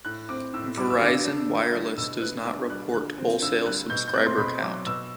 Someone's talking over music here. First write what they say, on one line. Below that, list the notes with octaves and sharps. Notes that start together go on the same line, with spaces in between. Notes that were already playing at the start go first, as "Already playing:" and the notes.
Verizon Wireless does not report wholesale subscriber count.
A2 F#6
C4 D6
A2 E6
G3 D6
E6
D3 D6
D4
D3
G3
B2 E6
B3 F#6
D4 D6
G3 F#6
D3 F#6
C4
D3 E6
G3 F#6
B2 G6
G6
C4 F#6
C6
B2 B5
F#3 D6
B2 E6